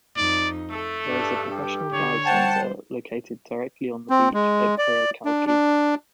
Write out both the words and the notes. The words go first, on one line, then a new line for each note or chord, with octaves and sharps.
There is a professional dive center located directly on the beach at Playa Kalki.
F2 D#4 D5
A3 A4
G2 D4
G4
D3 C#5
G3 C5 F#5 G5 A5
C4
G#3
D5
D4
D4